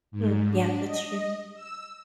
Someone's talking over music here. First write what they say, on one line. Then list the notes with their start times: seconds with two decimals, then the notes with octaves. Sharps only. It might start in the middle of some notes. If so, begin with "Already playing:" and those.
Mm, yeah, that's true.
0.11 G#2
0.49 D4
0.85 D#5
1.54 E6